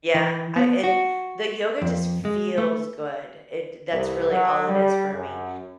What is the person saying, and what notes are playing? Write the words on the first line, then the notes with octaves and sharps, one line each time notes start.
Yeah. I and the yoga just feels good. It that's really all it is for me.
E3
B3
F#4
F2
G#3
A3
C2
F#3
G3
F#2